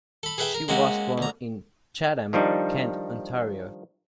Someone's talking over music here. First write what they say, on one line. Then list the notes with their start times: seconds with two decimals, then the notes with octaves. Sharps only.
She was born in Chatham-Kent, Ontario.
0.23 A4 B5
0.38 G#4 A4 B4 E5 G5
0.55 A#4
0.68 G#3 A#3 C4 C#4 F#4
1.18 D2 A#5
2.33 D#3 F3 G3 D4 D#4